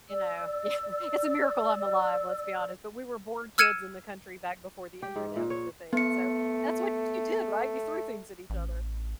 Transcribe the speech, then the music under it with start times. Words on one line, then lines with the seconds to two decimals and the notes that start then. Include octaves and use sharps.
you know Yeah, it’s a miracle I’m alive, let's be honest, but we were bored kids in the country back before the internet was a thing, so that's what you did, right? You threw things at each other.
0.10 D5 E6
3.58 E6 F6 G#6 C#7 D#7 E7
5.02 G4
5.16 G#2
5.36 A#2
5.50 C#5
5.93 A3 B3 C#7
8.50 A1